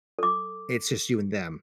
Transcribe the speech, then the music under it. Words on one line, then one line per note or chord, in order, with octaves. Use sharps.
it's just you and them,
A4 D6